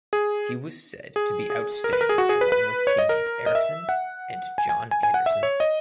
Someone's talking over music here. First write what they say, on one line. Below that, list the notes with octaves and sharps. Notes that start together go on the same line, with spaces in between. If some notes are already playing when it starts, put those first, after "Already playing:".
He was said to be outstanding along with teammates Erickson and John Anderson.
G#4
G#4
G#4
A#4
B4
A#4
G#4
F#4
G#4
B4
B4
C#5
D#5
A#4
D#5
E5
F#5
G#5
G#5
G#5
G#5
F#5
E5
C#5
D#5